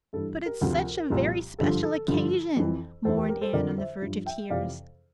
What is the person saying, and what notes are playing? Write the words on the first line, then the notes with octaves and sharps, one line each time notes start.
"But it's such a very special occasion," mourned Anne, on the verge of tears.
G2 E3 A4
G4 A#4
D2 C3 F3
C2 A#2 F3
G2 D3 F3 A4
A4
G2 D3 F3
F2 E3
E2 E3 A4 C5
G4 A#4
G4 A#4
A4 C5
F2 D3 F3 A#4 D5
C5 E5
G2 F3
E5 G5
F2 C3 E3 D5 F5